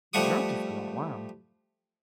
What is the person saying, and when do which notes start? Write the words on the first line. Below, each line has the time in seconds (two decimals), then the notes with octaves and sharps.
He dropped you for that, wow.
0.13 F3 G3 A3 F#5 C#6 D#6